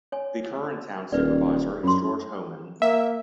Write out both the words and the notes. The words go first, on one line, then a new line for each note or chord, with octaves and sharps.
The current Town Supervisor is George Hoehmann.
C#5 G#5
D#1 B4 D5
F#2 F4 C6
A#3 E5